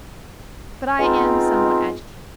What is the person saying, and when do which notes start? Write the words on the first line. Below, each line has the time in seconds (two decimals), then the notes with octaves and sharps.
But I am somewhat agitated.
0.99 G#3 B3 C4 D#4 F4